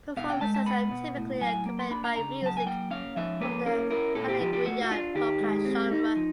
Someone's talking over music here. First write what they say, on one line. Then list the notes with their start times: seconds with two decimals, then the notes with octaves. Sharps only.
Performances are typically accompanied by music from the Paraguayan polka genre.
0.17 B2 F5
0.30 G5
0.41 G#3 A5
0.54 A5
0.66 B3 B5
0.91 B2
1.17 A2
1.41 F#3 G#5
1.66 A#3
1.79 C6
1.91 D4 B5
2.04 A#5
2.16 C#3 A#5
2.42 F#3 A5
2.57 G#5
2.66 A#3 G5
2.91 C#4 F5
3.16 F3 E5
3.40 A#3 B4
3.66 C#4 A#4
3.91 E4 A#4
4.15 A#2 A4
4.28 G4
4.41 F3 G4
4.53 G4
4.66 A3 F#4
4.82 F#4
4.91 D4 F4
5.15 D#3 G4
5.41 G#3
5.65 C4
5.91 D#4
6.16 F3